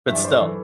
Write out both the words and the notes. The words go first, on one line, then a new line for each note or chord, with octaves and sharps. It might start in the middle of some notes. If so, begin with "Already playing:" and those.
but still.
G2 E3 D5 E5
C5
A4
E3